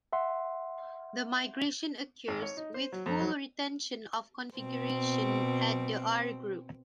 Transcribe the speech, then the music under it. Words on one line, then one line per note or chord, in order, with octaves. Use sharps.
The migration occurs with full retention of configuration at the R-group.
E5 F#5 C6
G#1
C#5
D#4
C5
F#3
F2
F#3
B2 C4